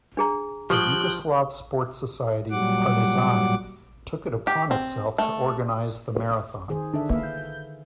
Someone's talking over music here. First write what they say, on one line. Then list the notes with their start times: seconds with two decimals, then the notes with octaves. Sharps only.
The Yugoslav Sport Society "Partizan" took it upon itself to organize the marathon.
0.17 D4 G#4 A#5
0.70 F3 G4 G5 C6 D#6 F#6
2.51 A#2 F#3 G3 F#5 D6
4.47 G4
4.71 C4
5.18 A3
6.69 D#3 G#4 C5
6.93 D3 D4 A4 E5
7.10 A#3 B4 E5 F5
7.23 G6